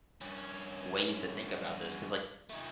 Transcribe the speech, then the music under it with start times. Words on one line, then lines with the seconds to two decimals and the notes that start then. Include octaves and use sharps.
ways to think about this 'cause like,
0.21 G2 C#4
2.50 A3 D#4